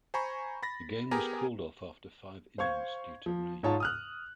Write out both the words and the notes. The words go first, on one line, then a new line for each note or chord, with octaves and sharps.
The game was called off after five innings due to rain.
C5 G#5 A#5 B5 C#6
B5 A6 A#6
B3 G4 G#4 A#4 G#5 A#5
C5 F5 C#6 G#6
F3
G#2 F4 C#5 A5
D#6 F6 F#6